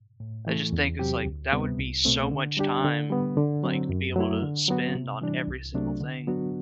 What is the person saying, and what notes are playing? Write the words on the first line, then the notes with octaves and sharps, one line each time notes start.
I just think it's like that would be, so much time, like, to be able to spend on every single thing
A2
E3 A3
E2
C3 F#3 C4 G4
D2
C3 G3 B3
C2
B2 A3 C4
D3
G3 D4 G4
D3
G3 B3
D3
F#3 C4
F#2
F#3 A3 E4
D3
F#3 B3 F#4
C3
E3 G3 D4
C2
C3 F#3 A3 D4
D3
F#3 B3 D4 F#4